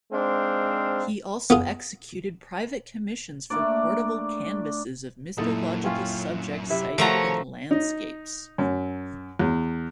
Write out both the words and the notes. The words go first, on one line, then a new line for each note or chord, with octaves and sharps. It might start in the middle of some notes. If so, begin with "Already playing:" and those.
He also executed private commissions for portable canvases of mythological subjects sited in landscapes.
G#3 C4 D4 D#4 C5 F5
B3 F4 G#4
A3 A#3 D4 D5
B1 F#2 A#2 D#4 E4 A4 D#6
C4 C#4 F4
C3 E4 E5
F3 A3 F#4 A4 A#4 C#5 A#5
D#4
F#2
E2